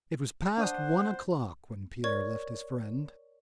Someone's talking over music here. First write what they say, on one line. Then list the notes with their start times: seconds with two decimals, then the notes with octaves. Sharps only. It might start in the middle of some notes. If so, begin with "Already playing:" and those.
It was past one o'clock when Pierre left his friend.
0.58 D4 C5 F#5 D#6
2.04 A#4 C#5 D5 C#6 G#6